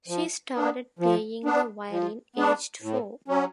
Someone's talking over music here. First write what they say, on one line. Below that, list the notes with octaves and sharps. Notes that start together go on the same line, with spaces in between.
She started playing the violin aged four.
F3
B3 D4
F3
B3 D4
F3
B3 D4
A2
F#3 C#4